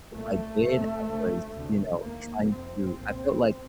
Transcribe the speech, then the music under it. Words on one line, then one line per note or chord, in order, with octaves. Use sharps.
if I did, I was, you know, trying to I felt like,
C2 A#2 A3
F2 C3
D2 C3
D2 C3
D#2 A#3
F2 C3 C4
C2 A#2